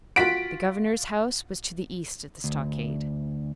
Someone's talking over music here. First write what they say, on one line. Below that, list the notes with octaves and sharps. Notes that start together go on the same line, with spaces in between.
The governor's house was to the east of the stockade.
F4 F#4 F#5 B6 D7
D2